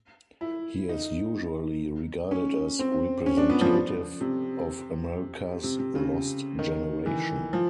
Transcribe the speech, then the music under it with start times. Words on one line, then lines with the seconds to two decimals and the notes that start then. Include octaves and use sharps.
He is usually regarded as representative of America's Lost Generation.
0.41 E4
0.89 D#4
2.31 C#4
2.79 C4
3.26 C#4
3.37 D4
3.50 B3
3.61 F3
4.21 C3
5.63 C3
5.79 C3
5.95 C#3
6.59 D#3
7.06 E3
7.53 F3